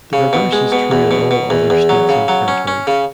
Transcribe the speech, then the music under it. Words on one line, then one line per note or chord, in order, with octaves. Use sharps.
The reverse is true in all other states and territories.
C#3
B2
G#3
B2
E2
B2
B2
E2
E2
F#3
C#3
F#3
C#4
C#4
C#3